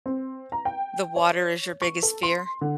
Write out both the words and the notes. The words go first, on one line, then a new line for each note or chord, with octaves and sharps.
the water is your biggest fear?
C4
A#5
G5
C#5
C#6
A4
C6
D3